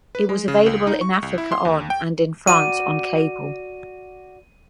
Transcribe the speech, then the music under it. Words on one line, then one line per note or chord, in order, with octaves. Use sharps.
It was available in Africa on and in France on cable.
B4
G#3
C#3
C#2
D#4
C#6
C2
E4
C6
D#2
G5
F#4 D5 D#7